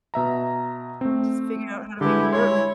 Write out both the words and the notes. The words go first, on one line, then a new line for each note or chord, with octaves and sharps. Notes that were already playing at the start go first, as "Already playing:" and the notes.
just figure out how to make it work.
B2 E5 A#5
A3 C4
D3 G#3 E4 G4 B4
C#5 C6